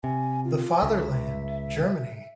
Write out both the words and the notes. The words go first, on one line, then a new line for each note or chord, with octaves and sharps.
The fatherland Germany.
C3 G#5
F4
C#2 E5